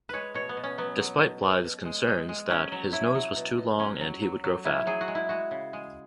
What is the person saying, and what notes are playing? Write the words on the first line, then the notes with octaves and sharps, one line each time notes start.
Despite Blythe's concerns that 'his nose was too long and he would grow fat'.
G#3 B4 C#5
B2 C#5
B3
B2
C#4
F#3 B3
F#3
B2
B2
B2
G#3
G#3
G#3
F#3 C#4
F#3
F#3 E4
F#3
B2
B2
F#3 C#4
F#3
F#3
F#3
F#3 E4
F#3 G#4
F#4
G#3
E4
G#3 F#4
C#3
G#3